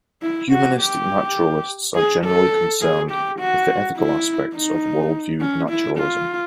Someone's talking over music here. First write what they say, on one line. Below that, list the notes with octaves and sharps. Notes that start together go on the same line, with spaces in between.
Humanistic naturalists are generally concerned with the ethical aspects of worldview naturalism.
E4
F#4
G4
G#4
A4
G#4
G4
F#4
E4
D#4
C#4
E4
F4